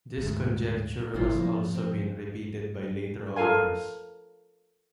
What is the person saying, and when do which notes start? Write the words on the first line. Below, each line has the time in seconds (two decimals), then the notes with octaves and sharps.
This conjecture has also been repeated by later authors.
0.18 D2 G#2
1.14 G#1 G3 C4 E4 F4
1.34 C#3 F3 A#3
1.75 C4
3.36 F4 A4 A#4 F5 G#5